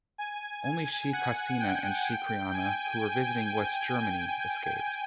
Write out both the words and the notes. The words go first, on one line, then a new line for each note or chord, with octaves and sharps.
Only Sheikh Hasina and Sheikh Rehana, who were visiting West Germany, escaped.
G#5
G#5
F#5
G5
G5
G#5